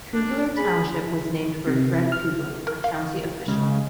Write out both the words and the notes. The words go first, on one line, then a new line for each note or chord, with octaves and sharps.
Kugler Township was named for Fred Kugler, a county official.
D4
G#4 B5
C3
F6
A#4
F5
C#3 G#3